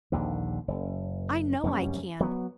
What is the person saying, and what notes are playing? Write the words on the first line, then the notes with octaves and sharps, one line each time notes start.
I know I can.
A#1 D#2 D3
F#1
F1 F#2 G3 C#4
F#3 B3